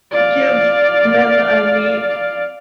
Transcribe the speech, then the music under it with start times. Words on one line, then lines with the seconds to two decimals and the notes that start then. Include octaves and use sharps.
give men I meet
0.12 D5 F5